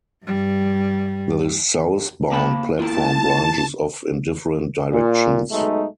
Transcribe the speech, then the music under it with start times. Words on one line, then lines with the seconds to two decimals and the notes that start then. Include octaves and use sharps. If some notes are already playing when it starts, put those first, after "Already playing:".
The southbound platform branches off in different directions.
0.25 G2 G3
2.32 A#3 A5 B5
2.79 A#3 E4 F4 A5
4.93 A#2
5.50 B1 G#3 A3 D#4